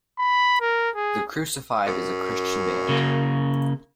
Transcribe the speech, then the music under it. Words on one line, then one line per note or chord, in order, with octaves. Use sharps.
The Crucified is a Christian band.
B5
A#4
G#4
F#2
C#3 A#3